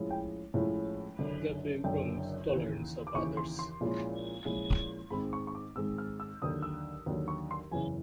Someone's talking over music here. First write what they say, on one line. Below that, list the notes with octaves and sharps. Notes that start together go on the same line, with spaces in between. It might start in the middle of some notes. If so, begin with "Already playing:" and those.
The film promotes tolerance of others.
Already playing: A2 F3 G#3 C#4 E4
G5
A2 F3 G#3 C#4 E4
F#1 F#2 D3
F#1 F#2 D3 G5
D#2 C#3 E3
D6
D#2 C#3 E3 C#6
C6
C6
A#2 F3 G#3 C#4 E4
A#2 F3 G#3 C#4 E4
G#2 D#3 G#3 C4 B5
C#6
C#6
D6
G#2 D#3 G#3 C4 E6
F6
E6
D#2 D3 F#3 D#6
E6
D#2 D3 F#3
C#6
C6
F#1 E2 C#3 E3 G#5